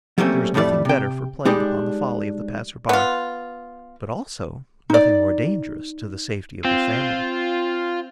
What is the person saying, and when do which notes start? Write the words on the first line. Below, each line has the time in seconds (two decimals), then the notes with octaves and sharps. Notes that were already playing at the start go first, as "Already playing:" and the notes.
There is nothing better for playing upon the folly of the passer-by, but also nothing more dangerous to the safety of the family.
0.18 F#3 G3 A3 A#3 C4 C#4
0.54 F2 A2 G3 A3 D5
0.85 C3 G5
1.45 G3 G#3 D4 D#4 G4
2.89 B3 F4
4.90 D#4 D5
6.65 C4 F4